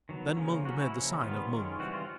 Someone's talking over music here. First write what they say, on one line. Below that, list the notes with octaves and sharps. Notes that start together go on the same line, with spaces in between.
Then Mung made the sign of Mung.
D#3 F#3 B3
C#3 F3 A#3 C#4
F#3 A#3 C#4 F#4
E4
C#3 F3 A#3 C#4
D#3 G3 B3 F4
D#3 G#3 C#4
E3 G3 C4 F#4
F4